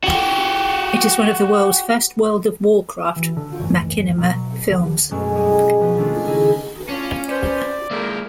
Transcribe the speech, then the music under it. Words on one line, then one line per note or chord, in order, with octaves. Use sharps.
It is one of the world's first World of Warcraft machinima films.
F#4 G4
E3
D3
F#1 D2 G#2 E3
B2 F#3
D#2 D3
F#2 B2 F#3 G#3 A3 C#4
G3 G#3 G#4
B2 F3 B3
D#3 A3 C#4 D4 F4
C#3 D#4 E4 G#4
A2 C#4 D4 F4
F3 B4 C5 D5
F3 G#3 A#3 E4 A#4